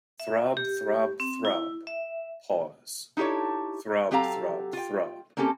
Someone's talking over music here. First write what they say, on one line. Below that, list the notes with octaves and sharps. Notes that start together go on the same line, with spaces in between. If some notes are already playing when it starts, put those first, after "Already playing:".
Throb, throb, throb, pause, throb, throb, throb.
E5
G4
C4
E4
E5
D#4 E4 G4 A4 C#5
F#3 C4 G4 A4 F5 A#5
F4 G5
A#3 C4 C#4 G4 A4